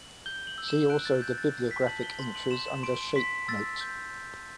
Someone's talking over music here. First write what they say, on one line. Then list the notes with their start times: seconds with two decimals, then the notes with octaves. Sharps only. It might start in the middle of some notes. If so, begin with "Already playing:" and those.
See also the bibliographic entries under Shape note.
Already playing: F#7
0.26 G6 G7
0.47 F#7
0.58 E6
0.68 E7
0.90 F#6 D7
1.05 A6
1.22 F#6 G6
1.38 A6
1.55 F#6
1.71 B6
1.87 A5 F#7
2.03 G7
2.19 C6 F#7
2.35 F#7
2.51 C6 E7
2.67 E7
2.83 C6 D7
3.16 C6 B6
3.48 E6 A6
3.81 G6
4.13 G6